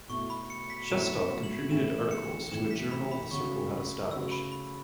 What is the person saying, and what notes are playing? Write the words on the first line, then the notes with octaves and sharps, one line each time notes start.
Shestov contributed articles to a journal the circle had established.
B2 A3 E4 C#6
B5
C#7
B6
B2 A3 E4 E7
F#7
A2 E3 A3 E7
C#7
A2 E3 A3 E7
B6
B5
B5
C#3 A3 F#4 C#6
C#3 A3 F#4 E6
B5
B5